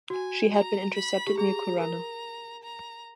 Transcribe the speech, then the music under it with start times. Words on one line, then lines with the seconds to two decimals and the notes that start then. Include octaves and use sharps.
She had been intercepted near Corunna.
0.10 F#4 G#5
0.52 A#5
0.95 B5
1.27 G4
1.37 G#4 A#5
1.79 A#4 A#5
2.63 A#5